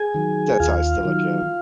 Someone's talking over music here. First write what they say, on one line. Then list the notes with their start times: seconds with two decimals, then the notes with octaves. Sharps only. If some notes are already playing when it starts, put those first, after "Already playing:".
that's how I still look at it.
Already playing: G#4 G#5
0.14 D#3 F#3
0.60 D#2 F4 F5
1.05 D#3 F#3